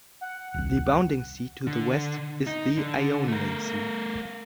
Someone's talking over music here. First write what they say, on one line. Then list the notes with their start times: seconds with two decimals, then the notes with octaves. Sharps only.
The bounding sea to the West is the Ionian Sea.
0.21 F#5
0.54 D#1 C2
1.67 D3
2.46 D#4
2.77 D3
3.28 A3 A#4